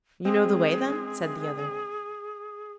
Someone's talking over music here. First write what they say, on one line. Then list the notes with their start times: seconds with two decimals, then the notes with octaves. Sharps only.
'You know the way then?' said the other.
0.25 G#3 C4 G#4